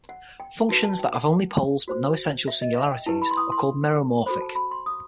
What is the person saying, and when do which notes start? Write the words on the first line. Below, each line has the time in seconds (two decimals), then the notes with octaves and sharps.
Functions that have only poles but no essential singularities are called meromorphic.
0.09 F#5
0.40 G5
0.69 D#4 F#4 B4 A5
0.84 A5
0.99 G5
1.14 F#5
1.88 F#4 C5
2.48 E5
2.62 D#5
2.78 E5
2.92 G5
3.06 E4 G4 B4 A5
3.22 B5
3.31 C6
3.37 D#6
3.52 C6
4.26 F#4 A4 C5 B5
4.42 A5
4.56 B5
4.71 C6
4.86 D#6